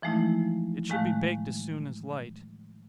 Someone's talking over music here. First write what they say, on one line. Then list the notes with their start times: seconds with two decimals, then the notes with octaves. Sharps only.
It should be baked as soon as light.
0.02 E3 F3 G#3 A3 D#4 E4
0.89 A2 D#3 G#3 A3 F5 F#6